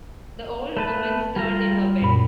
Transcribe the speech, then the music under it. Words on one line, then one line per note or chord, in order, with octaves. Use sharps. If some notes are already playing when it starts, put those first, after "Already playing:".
The old woman stirred in her bed.
A3 B4 A5
G3 F4 A#5
F#2 A#2 B5